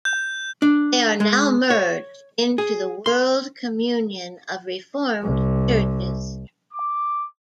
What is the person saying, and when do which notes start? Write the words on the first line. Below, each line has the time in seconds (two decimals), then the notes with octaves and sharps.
They are now merged into the World Communion of Reformed Churches.
0.05 G6
0.62 D4
1.20 G#3
1.70 C#5
2.58 G#4
3.06 C6
5.23 C2
6.73 D6